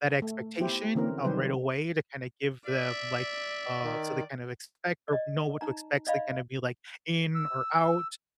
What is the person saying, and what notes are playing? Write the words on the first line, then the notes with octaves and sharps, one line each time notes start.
that expectation, um, right away to kinda give them, like, uh so they kind of expect or know what to expect, so they kinda be, like, in or out,
A3
B3 E4 G4 C5
D3 E3 C4 C#4 A#4
D#3 F#3 G3 G4 B4 C5
D5 E5
D#3
D5 D#5
D#4 A#5
D5 D#5 F5 B5
E6